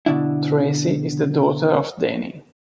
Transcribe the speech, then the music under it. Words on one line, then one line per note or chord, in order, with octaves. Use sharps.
Tracy is the daughter of Dany.
B2 D3 D4 E4